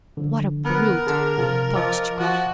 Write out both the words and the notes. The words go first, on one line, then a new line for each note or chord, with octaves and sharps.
"What a brute!" thought Chichikov.
D3 F3
B3 A#4
D3 G#4
C3 F3
F3 D#5 D6 E6
F3 F#4